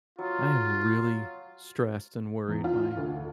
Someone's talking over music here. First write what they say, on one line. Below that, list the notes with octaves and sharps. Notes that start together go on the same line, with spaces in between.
I am really stressed and worried, my
F#3 F4
E2
F4
D2